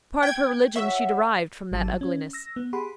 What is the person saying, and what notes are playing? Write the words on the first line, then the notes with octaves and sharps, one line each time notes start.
A part of her religion she derived from that ugliness.
G5 G#6
F#4 C#5 E5 F#5
G#1 F#3 G3 A5 E6
C#4
E6 A#6
B3
G4 G#4 F#5 B5 C6